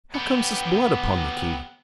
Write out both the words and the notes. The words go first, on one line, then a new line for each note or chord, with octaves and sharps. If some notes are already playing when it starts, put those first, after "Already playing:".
"How comes this blood upon the key?"
B3 G4